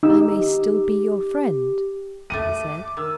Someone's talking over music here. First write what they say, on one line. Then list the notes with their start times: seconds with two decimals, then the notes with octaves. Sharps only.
"I may still be your friend?" he said.
0.03 D#4 G4 E6
2.30 A3 D#5 F#5 D6 D#7
2.97 D#3 E6